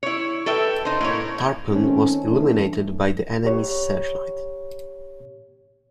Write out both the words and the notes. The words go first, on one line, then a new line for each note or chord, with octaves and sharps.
"Tarpon" was illuminated by the enemy's searchlight.
E4 C#5
A4 B4 E5 G5
D#4 C5
A2 A#3 C#5
D#3 A3 C4 C#4
E2 E3 A3 D4
G4 C#5